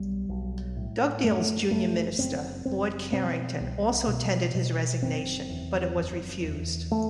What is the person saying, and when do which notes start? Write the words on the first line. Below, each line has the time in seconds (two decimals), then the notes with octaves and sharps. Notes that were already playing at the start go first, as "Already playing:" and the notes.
Dugdale's junior minister, Lord Carrington, also tendered his resignation, but it was refused.
Already playing: B1 G3
0.29 B1
0.76 A2
1.24 F#2 A3
1.71 F#1 A3
2.18 F#1 C4
2.65 F#1 C4
3.13 B2 C4
3.60 C2
4.07 B2
4.55 B2
5.01 F#1 C4
5.50 E2
5.97 F#1
6.44 E2
6.91 A3